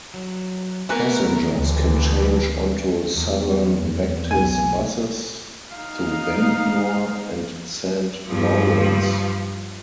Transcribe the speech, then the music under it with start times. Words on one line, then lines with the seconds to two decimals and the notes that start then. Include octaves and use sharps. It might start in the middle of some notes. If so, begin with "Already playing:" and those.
Passengers can change onto Southern Vectis buses to Ventnor and Saint Lawrence.
0.14 F#3
0.89 E3 A3 B3 F#4 A#4 B4
1.57 D2 E3
3.15 E2
3.80 F2
4.31 B1 G#5
5.75 D#4 F5
8.29 G2 F3